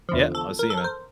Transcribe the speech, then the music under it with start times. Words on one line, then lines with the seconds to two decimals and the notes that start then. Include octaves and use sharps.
Yeah, I'll see you, man.
0.09 E2 D3 F3
0.35 A4
0.59 A#4
0.70 A4
0.77 A#4
0.84 C5